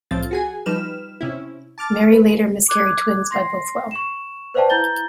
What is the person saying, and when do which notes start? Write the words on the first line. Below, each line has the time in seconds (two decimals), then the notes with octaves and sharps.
Mary later miscarried twins by Bothwell.
0.11 C2 A2 F3 C4 F4 A6
0.31 F#4 G#4 G#5
0.66 F3 G3 D#4 B4 F6 E7
1.21 C3 C#4 E4
1.78 A5 D6 F6 A6
2.13 B4
2.68 D6 F#6 G#6
3.31 C6 A#6 C7
3.91 C#6 E7
4.54 B4 C5 D5 F5 G5 A5
4.70 E4 A#5 G6 A6 G7